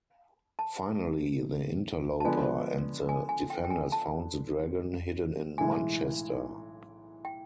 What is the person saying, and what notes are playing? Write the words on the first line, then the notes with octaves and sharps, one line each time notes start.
Finally, the Interloper and the Defenders found the Dragon, hidden in Manchester.
A5
A5
D3 F3 G#3 B3 G#5
G#5
G#5
G5
G5
G#5
A5
B1 A2 E3 G#3 G#5
G5